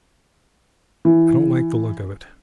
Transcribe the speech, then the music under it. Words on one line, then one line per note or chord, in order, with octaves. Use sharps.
I don't like the look of it.
E3